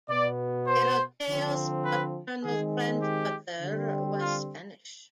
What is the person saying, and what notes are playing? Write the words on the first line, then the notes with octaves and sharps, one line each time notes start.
Peyroteo's paternal grandfather was Spanish.
B2 B3 D5
C5
D3 F3 C4
B4
D#3 G#3 C4 G#4
G4
D3 G3 C4
F4